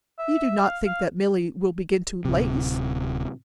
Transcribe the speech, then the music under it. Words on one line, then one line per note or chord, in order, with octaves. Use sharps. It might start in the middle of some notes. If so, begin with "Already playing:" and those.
"You do not think that Milly will begin to lace?"
E5
F5
F5
D1 C3